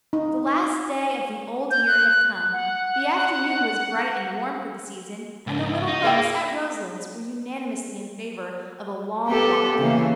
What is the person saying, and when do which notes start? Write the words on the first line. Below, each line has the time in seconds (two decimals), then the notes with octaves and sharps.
The last day of the old year had come; the afternoon was bright and warm for the season, and the little folks at Roselands were unanimously in favor of a long walk.
0.13 D#4
1.71 G6
1.87 F#6
2.53 F#5
5.47 C#2 G#2
5.87 D#4
6.04 A#3 G#4 D5 G5
9.28 B3 G4 A4
9.79 C#3 E3 A#3